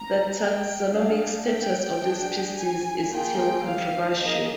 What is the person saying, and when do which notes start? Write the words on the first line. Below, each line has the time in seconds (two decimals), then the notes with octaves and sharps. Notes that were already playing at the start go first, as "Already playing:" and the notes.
The taxonomic status of this species is still controversial.
Already playing: A#5
0.40 G5
0.93 D4 G#4 F5
1.47 G5
2.02 D4 G#4
2.57 G#5
3.11 A#3 F4 G#4 G5
3.65 F5
4.20 A#3 D#4 G#4 D#5